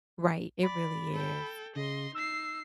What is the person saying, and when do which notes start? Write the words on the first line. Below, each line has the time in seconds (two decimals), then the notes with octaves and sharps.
Right, it really is,
0.63 D5 B5
1.13 A4 G5
1.76 C#3 D#5 C6
2.15 D#4 E6 C7